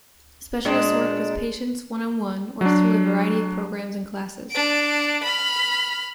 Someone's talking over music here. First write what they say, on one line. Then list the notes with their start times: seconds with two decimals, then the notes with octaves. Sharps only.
Specialists work with patients one-on-one, or through a variety of programs and classes.
0.65 A#2 G#3 D4
2.61 F#3 D4
4.51 D4 D7
5.23 B5 F6